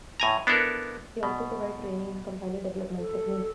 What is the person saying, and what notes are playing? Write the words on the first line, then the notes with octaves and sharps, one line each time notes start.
He also provides training in compiler development techniques.
A2 G#5 A#5
B3 D4 E4 A4 A#4
B2
A4